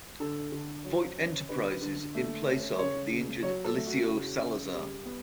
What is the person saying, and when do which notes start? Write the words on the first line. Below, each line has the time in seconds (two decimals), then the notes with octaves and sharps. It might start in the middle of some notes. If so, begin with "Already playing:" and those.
Foyt Enterprises in place of the injured Eliseo Salazar.
0.20 D3 A4
0.52 D3
0.84 F#3
1.18 C#4
1.49 D3 B4
1.81 D3
2.15 A3
2.46 C#4
2.79 C#3 C#5
3.12 C#3
3.43 F#3 C#5
3.64 A4
3.76 A3
3.87 F#4
4.08 C#3
4.41 C#3
4.73 G3
5.06 B3